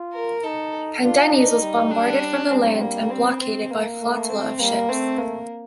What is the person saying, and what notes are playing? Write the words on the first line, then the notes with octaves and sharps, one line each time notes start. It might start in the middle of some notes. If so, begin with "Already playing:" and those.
Pendennis was bombarded from the land and blockaded by a flotilla of ships.
Already playing: F4
A#4
D#4 A4
D4 F4
D#4
G3
D4
G3 C4
A#3
C4
C4
A#3
A3
C4
G3 A#3
A3 C4
A#3